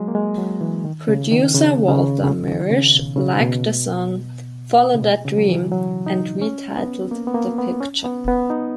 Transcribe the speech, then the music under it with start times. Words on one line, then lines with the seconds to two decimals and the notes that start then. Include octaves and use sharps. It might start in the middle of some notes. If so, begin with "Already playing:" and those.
Producer Walter Mirisch liked the song "Follow that Dream" and retitled the picture.
Already playing: F#3 G#3
0.08 A#3
0.15 G#3
0.38 F#3
0.61 E3
0.85 D#3
1.08 C#3
1.31 D#3
1.55 C#3
1.89 C#3
2.23 C#3
2.48 D#3
2.70 C#3
2.94 B2
3.16 C#3
3.40 B2
4.94 C#3
5.02 B2
5.25 C#3
5.38 F#3
5.49 E3
5.72 F#3
6.06 D#4
6.42 C#4
6.77 B3
7.11 A#3
7.27 B3
7.34 A#3
7.58 B3
7.81 C#4
8.04 B3
8.28 B3
8.50 D#4